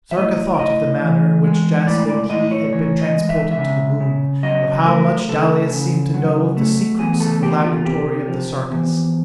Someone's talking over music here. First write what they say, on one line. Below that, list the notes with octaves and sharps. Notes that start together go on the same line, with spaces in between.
Sarka thought of the manner in which Jaska and he had been transported to the Moon; of how much Dalis seemed to know of the secrets of the laboratory of the Sarkas.
E5
A2 D#5
D5
A2 D#5
E3
G#3
A2 D5
D5
A2 D#5
C#5
E3 C#5
D#5
G#3
E5
E5
C#3
C#3
F#3 D#5
A3 A#4
C#3 A4
C#3
F#3
A3
E2 G#4
A4
A#3 G4
F4
C3 G4
F3
E2